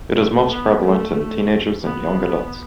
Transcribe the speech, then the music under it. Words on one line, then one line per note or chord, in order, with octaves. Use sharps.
It is most prevalent in teenagers and young adults.
A3
B3
A3
B3